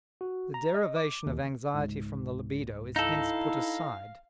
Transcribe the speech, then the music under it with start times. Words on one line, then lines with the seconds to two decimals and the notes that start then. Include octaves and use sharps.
The derivation of anxiety from the libido is hence put aside.
0.21 F#4
0.54 A#5
0.74 D#5
0.96 D6
1.26 D#2
1.74 C#2 G#2
2.96 D#4 E4 A4 F5